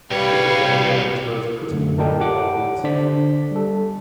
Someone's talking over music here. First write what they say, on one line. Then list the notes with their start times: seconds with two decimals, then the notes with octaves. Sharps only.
It is one of the band's most critically lauded albums.
0.11 C2 G3 B4 C#5 F5
1.71 F#2 D3 A3
1.98 A4 A#4 D5 D#5 G5 A5
2.20 G4 D5 F#5 A5 D6
2.84 D3 D4 C5 D5 B6
3.51 G3 A4